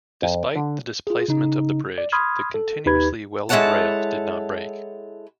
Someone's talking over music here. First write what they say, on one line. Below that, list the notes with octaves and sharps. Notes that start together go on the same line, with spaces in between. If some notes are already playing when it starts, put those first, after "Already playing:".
Despite the displacement of the bridge, the continuously welded rails did not break.
F2
D3
F4 G#4
C#3 D#4
D5
B5 C6 D#6 F6 G#6
A4
D#2 D#4 G4 B4 B5 G#6
G#3 E4 A4 C#5 F#5 A5